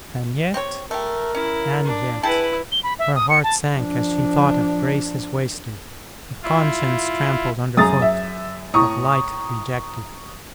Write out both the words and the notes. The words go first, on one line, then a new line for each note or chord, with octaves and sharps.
And yet, and yet ... her heart sank as she thought of graces wasted, of conscience trampled underfoot, of light rejected.
C4 G4 C#5
A3 G4 A#4
C#4 E4
D4
E4 G#4 B4 G5 A5
G7
B5
E5
D#6
C#7
A5
F3 D4
E4 F4
F#2 G#4 A#5 D#6 A6
E5
A2 A#5 C#6 D#6